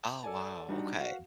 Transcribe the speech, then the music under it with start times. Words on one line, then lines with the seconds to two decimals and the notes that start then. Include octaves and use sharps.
Ah, wow, okay.
0.23 A4 D5 G#5 A5
0.69 G3 D4 D#4 F#4 F#5
1.00 F#4 F5 F#5